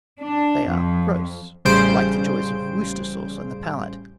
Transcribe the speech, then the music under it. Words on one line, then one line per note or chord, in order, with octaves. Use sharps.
They are gross, like the joy of Worcester sauce on the palate.
D4
F2
A1 C#3 G3 C5 G6 D7